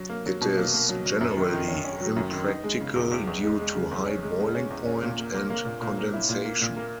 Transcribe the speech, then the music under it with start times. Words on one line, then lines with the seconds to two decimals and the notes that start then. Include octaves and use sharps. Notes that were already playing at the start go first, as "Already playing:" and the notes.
It is generally impractical due to high boiling point and condensation.
Already playing: F#3
0.09 A#3
0.26 F#3
0.41 B2
0.57 A#3
0.74 A#3
0.89 F#3
1.06 F#3
1.21 F#2
1.37 D#3
1.53 D#3
1.68 C#4
1.84 C#4
2.00 F#3
2.16 F#2
2.32 D#3
2.48 D#4
2.64 G#3
2.80 C#3
2.96 E2
3.11 E2
3.27 E2
3.43 G#3
3.60 G#3
3.75 C#3
3.91 E2
4.06 C#4
4.23 G#3
4.39 G#3
4.55 C#4
4.70 E2
4.86 C#4
5.02 A#2
5.19 A#3
5.34 A#3
5.50 A#3
5.65 A#2
5.81 A#2
5.98 A#3
6.13 E4
6.29 A#2
6.45 A#3
6.61 A#2
6.76 A#3